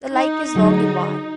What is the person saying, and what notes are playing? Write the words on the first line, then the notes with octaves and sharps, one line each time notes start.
The lake is long and wide.
D#4
D3 F#3 G#4